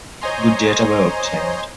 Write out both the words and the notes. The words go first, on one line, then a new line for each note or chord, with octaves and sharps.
Good data were obtained.
C5 C#5 D#5 G#5 A#5 C6